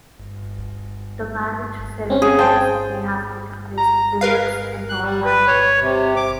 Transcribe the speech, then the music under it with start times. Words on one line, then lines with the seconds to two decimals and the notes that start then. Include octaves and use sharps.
The marriage ceremonies may have taken place in Bayeux in Normandy.
2.10 C4 C#4
2.22 G#4
2.39 C5 G5 A5
3.78 A#5
4.21 A#4 B4 F5
4.89 F#6
5.02 G3
5.25 B4
5.48 C#5
5.81 C3
6.16 D6